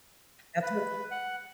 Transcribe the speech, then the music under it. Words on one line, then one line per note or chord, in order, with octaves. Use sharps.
That's what
B4
F#5